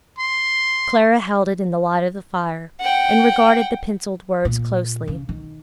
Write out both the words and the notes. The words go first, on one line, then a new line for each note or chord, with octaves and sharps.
Clara held it in the light of the fire, and regarded the pencilled words closely.
C6
F#5 G5
A#2
C#3
D#3